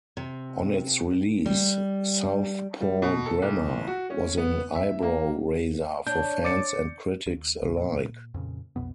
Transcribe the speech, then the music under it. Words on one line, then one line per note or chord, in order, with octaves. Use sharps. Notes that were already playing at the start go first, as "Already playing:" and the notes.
On its release "Southpaw Grammar" was an eyebrow-raiser for fans and critics alike.
C3
G3
G3
B2
A4
C2
F#4
C#4
B3
E5
A#3
D4 C#5 G6
D6 A6 C#7
D#2
B1 C#3
A#2
F2 A#2 C#3
B1 F2 B2 B3